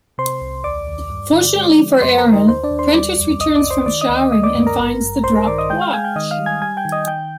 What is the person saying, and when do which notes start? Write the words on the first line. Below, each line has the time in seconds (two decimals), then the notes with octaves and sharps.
Fortunately for Aaron, Prentice returns from showering and finds the dropped watch.
0.18 C3 C5 C6
0.41 C2
0.64 D#2 D5 D6
0.87 D#2
1.10 G2
1.33 D3
1.56 G#3
1.79 F3
2.02 F2 C5 C6
2.18 A#4 A#5
2.25 D3
2.32 D#4 D#5
2.48 D#2 C5
2.64 D4 D5
2.71 D#2
2.79 C5 C6
2.94 G3 D5 D6
3.17 F2
3.40 C2 D#5 D#6
3.56 D5 D6
3.63 C2
3.70 C5 C6
3.86 D#3 D5 D6
4.01 D#5 D#6
4.09 D2
4.16 D#5 D#6
4.32 A#3 D#5 D#6
4.43 D5 D6
4.55 G2
4.67 A#4 A#5
4.79 G#1
5.01 G2
5.24 A#1 C5 C6
5.35 A#4 A#5
5.47 D#3 D5 D6
5.58 D#5 D#6
5.70 G#3 G5 G6
5.81 F5 F6
5.93 G#3 G#5 G#6
6.04 G5 G6
6.16 D#3 D#5 D#6
6.31 F5 F6
6.39 G3
6.46 G#5 G#6
6.62 G3 G#5 G#6
6.77 G5 G6
6.85 D#3
6.92 D#5 D#6
7.08 D#3 G5 G6